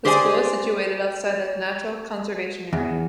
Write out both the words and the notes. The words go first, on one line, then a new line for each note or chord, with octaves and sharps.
The school is situated outside a natural conservation area.
G4 G#4 C5 D5 F5 G#5
E2